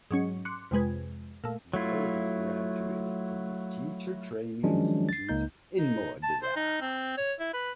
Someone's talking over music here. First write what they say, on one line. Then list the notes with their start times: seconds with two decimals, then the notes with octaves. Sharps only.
He later graduated from the teacher training institute in Modra.
0.11 G#2 F#3 C#4 C#7
0.45 C6 D6 F#6 C#7
0.71 F2 C3 G#3 B4 G#6
1.44 A#2 A3
1.73 F#3 A3 E4 F4
4.63 D#3 F3 F#3 G#3 C#4 D4
5.09 A6 C7
5.29 C#2 A#3 D#4 G6
5.78 D#4
6.23 A5
6.43 C5
6.56 D#4
6.82 C4
7.18 C#5
7.39 E4
7.54 B4